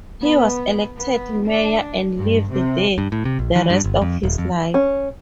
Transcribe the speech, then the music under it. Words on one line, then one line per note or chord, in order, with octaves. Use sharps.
He was elected mayor and lived there the rest of his life.
B3
B3
D4
G2
C3
G2
A2
C3
A#1
E3
G2
G1
F2
D#1
F2
C#4